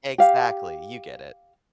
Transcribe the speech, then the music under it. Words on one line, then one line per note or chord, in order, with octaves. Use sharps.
Exactly, you get it.
G4 F5